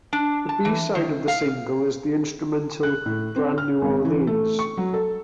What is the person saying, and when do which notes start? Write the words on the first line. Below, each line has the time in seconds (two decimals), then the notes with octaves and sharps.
The B-side of the single is the instrumental "Brand New Orleans".
0.13 D4
0.49 A5
0.65 E3
0.95 D#3
1.28 F5
2.83 F#6
3.06 A2
3.36 C4
3.58 F6
3.82 G#1
4.05 E3
4.27 A3
4.59 C#6
4.77 F#3
4.93 A4